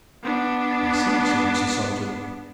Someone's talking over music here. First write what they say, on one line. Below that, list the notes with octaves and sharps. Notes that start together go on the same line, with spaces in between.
"I see!" said Mrs. Salton.
B3 D4